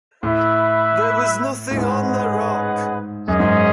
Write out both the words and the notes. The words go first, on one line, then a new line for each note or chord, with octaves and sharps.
There was nothing on the rock.
A2 E4 B4 E5
A2
G#2 C#4 G#4 B4 D#5 F#5
F#2 C#4 G#4 D#5
G#2